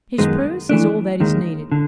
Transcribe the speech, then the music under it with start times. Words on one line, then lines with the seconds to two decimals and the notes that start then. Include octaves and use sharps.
His purse is all that is needed.
0.18 F#2 D#3 G#3 B3
0.69 E3 A3 D4
1.20 D#2 D#3 G#3
1.72 D3